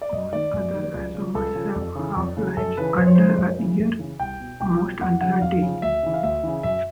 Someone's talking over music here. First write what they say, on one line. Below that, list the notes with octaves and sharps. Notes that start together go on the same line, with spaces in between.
All other isomers have half-lives under a year, most under a day.
D5
F#2 D#5
D#3 D5
F#2
D#3
C#2
C#3 F3
C#2 A4
C#3 F3
F2
C#3 E3
F2
C#3 E3
F#2 A4
C#3 E3 B4
F#2 C5
C#5
C#3 E3 C5
F#2
C#3 E3
F#2
C#3 E3
C2 G5
B2
C2 G5
B2
F2 F#5
C#3 F3 F#5
F2 F5
C#3 F3
D2 E5
C#3 E3
F5
D2 E5
C#3 E3
F#2 E5